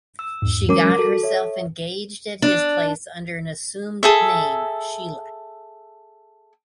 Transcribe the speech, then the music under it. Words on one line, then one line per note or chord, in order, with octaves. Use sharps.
She got herself engaged at his place under an assumed name Sheela.
E6
E2 G#2
F#3 G#3 C#4 A#4 D6
F#4 A4
C#5 E5
D4
G#4 A4 E5